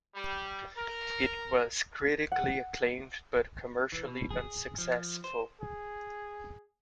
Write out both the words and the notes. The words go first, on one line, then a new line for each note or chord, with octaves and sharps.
It was critically acclaimed but commercially unsuccessful.
G3
A#4
F#5
E3
B2
G#4
F3
C5
G#4